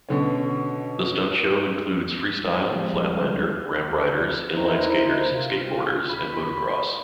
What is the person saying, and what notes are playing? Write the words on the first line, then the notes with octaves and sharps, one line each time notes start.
The stunt show includes freestyle, flatlander, ramp riders, inline skaters, skateboarders and Motocross.
B2 D3 C#4
F3 G3 G#3 C4 F4
D#4 E4 A#4 C5 A#5
C3 F4
B5